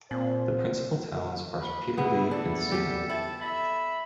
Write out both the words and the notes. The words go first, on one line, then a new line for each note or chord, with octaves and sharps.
The principal towns are Peterlee and Seaham.
A#2 C4 C5
B4
A3 B3 E4 G#4
E3 D4 A4
C#3 G3 G4
E4 A5
E5 B5